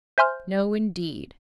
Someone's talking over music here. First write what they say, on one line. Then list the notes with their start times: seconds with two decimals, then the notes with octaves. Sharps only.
"No, indeed."
0.18 C5 E5 G#5 C6 F6 G6